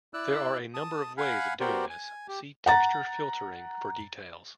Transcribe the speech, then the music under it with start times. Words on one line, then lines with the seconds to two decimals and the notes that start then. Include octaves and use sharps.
There are a number of ways of doing this; see "texture filtering" for details.
0.14 E4 D5 E6 F#6
0.74 A5 D#6
1.17 F5 F#5 G#5 B5
1.60 B3 F#4 G4 A#4 C5 D5
1.90 G#5
2.28 G4
2.66 F#5 A#5 A6